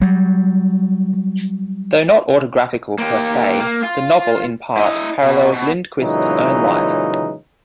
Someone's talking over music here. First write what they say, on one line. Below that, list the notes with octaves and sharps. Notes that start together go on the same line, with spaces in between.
Though not autographical per se, the novel, in part, parallels Lindquist's own life.
F#3 G3
A#3 G4
A#3
F4
E4 D#5
B2
B2
A#2 C#3 E3 F#3 G#3 D#4